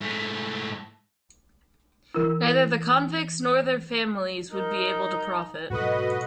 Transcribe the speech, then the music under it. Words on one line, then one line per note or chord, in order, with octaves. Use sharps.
Neither the convicts nor their families would be able to profit.
G#2 A3
E3 E4 A#4 E6
D#4 A#4
G#2 B2 F#3 F#4 A4 B4 D#5